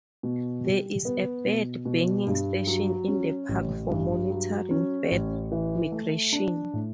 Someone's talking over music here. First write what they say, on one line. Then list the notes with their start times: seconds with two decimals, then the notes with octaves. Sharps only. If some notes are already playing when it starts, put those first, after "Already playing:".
There is a bird banding station in the park for monitoring bird migration.
0.23 B2
0.64 G3
1.05 B3
1.45 B2
1.85 B2
2.27 G2
2.67 F#3
3.08 C#4
3.49 A1
3.90 G2
4.30 F#3
4.71 C#4
5.11 A1
5.52 E3
5.92 A3
6.33 D4
6.73 A2